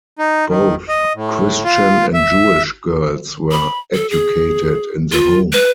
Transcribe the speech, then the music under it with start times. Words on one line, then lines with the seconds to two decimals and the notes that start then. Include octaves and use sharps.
Both Christian and Jewish girls were educated in the home.
0.19 D#4
0.49 D#3
0.89 D#5
1.15 A2
1.64 F4
2.14 E5
3.52 B5
3.95 A4
4.10 G#4
5.12 F4
5.53 B4